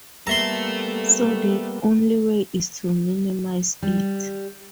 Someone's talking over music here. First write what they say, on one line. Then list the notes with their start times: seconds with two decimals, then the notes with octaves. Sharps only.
So the only way is to minimize it.
0.27 G3 A#3 B3 A4 E5 A#5 C6
3.82 G3